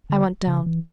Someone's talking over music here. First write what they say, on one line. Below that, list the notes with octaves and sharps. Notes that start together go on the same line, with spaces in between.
I went down.
D3
C#3
E3